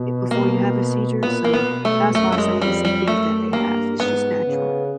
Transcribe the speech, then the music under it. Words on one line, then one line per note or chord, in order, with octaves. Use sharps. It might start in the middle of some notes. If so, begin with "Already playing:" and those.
i before you have a seizure, so, that's why I say it's a gift that they have. It's just natural.
Already playing: B2
B2 A#3
A#2 B3
A#3
B3
B2
A3
F#2 A3
A3
G#3
F2 G3
G3
F#2 A3
G2 A#3
G#2 B3
C#3